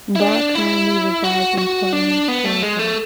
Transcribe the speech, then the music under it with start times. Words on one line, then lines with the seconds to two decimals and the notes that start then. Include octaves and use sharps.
Brock currently resides in Portland, Oregon.
0.16 E4
0.20 D4
0.55 E4
1.24 F#4
1.58 F#4
1.93 D4
2.28 B3
2.45 A3
2.62 G#3
2.79 A3